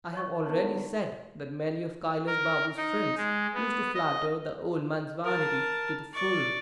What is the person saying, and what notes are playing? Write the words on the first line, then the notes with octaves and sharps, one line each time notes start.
I have already said that many of Kailas Babu's friends used to flatter the old man's vanity to the full.
C#5 D#5 C#6
D3 B3 D#4 A#4 C#5
A#4
D#4
G#3
B3
D#5
A#4 A5
D5 C#6